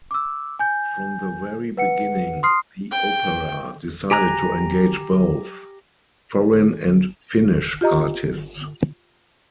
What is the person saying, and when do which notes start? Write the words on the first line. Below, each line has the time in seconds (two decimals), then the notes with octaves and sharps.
From the very beginning, the opera decided to engage both foreign and Finnish artists.
0.11 D6 E6
0.59 G#5 G6
1.77 B4 F#5 C#7
2.43 C6 D#6 F6 C7
2.91 G5
4.11 G4 G#5 A#5 F#6
7.81 F4 G4 D#5 A#5